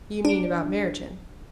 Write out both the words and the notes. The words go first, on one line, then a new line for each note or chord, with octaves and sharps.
"You mean about Merton?"
D4